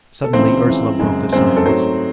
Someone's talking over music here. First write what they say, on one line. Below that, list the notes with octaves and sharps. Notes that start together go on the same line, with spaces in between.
Suddenly Ursela broke the silence.
A4
C#2 C#3 E3 C4 C5
C#2 C#3 E3
F#2 C#3 G#3
F#2 C#3 G#3 C4 C5
A4
G#2 F#3 A3 C4 C5